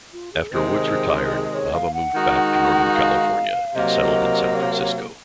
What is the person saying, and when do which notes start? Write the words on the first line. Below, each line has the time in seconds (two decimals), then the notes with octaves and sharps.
After Woods retired, Nava moved back to Northern California and settled in San Francisco.
0.13 F4
0.33 G#4
0.52 C3 D#3 G#3 C5
1.33 D#5
1.54 C#5
1.74 F5
1.94 F#5
2.13 D#3 G#3 D#4 F#4
2.94 F5
3.75 C3 F#3 A#3 D#5
4.55 C#5